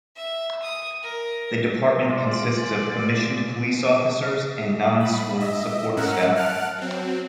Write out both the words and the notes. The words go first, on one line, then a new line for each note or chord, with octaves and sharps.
The department consists of commissioned Police Officers and non-sworn support staff.
E5
D#6
A#4
G#3 F4 D5
B5
D#5 E5
G#2 C#4 A#4 F#5 E6
F#5 A5 F6 F#6 D7
F#3 C4